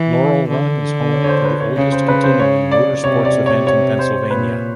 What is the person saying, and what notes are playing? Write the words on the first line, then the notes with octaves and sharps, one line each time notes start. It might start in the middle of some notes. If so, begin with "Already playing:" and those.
Laurel Run is home to the oldest continuing motorsports event in Pennsylvania.
Already playing: E3
D3
C#5
C#5
C5
B4
C#5
C#3 C#5
C5
B4
C5
C#5
D5
C3 C#5
D5
C#5
C#5
C5
A#2 B4